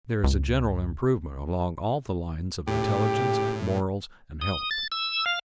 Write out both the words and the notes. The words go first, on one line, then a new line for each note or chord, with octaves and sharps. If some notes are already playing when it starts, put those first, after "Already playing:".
There is a general improvement along all the lines of intelligence, morals, and health.
C#2
A2 C#3 G4
D#6
A6
E6
F5